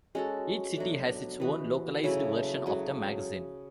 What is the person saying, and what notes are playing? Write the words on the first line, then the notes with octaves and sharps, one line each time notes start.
Each city has its own localised version of the magazine.
G#3 C#4 F#4 A4
B2 F#3 A3 D4
E3 B3 F#4
C#3 F#3 A3 E4
C#3 F#3 A3